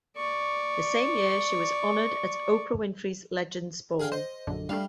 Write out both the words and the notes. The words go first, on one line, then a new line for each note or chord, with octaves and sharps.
The same year she was honored at Oprah Winfrey's Legends Ball.
D5 C#6
G#4 F5 G5
C5 D#5
A#1 F#2 D3
G3 A3 D4 F5